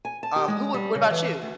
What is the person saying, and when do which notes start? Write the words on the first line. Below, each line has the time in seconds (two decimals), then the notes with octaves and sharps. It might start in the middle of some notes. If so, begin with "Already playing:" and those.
Um, who would what about you?
0.05 G#5
0.23 A5
0.36 G4
0.48 G#3
0.74 G3
0.95 C#3
1.10 E3
1.42 D2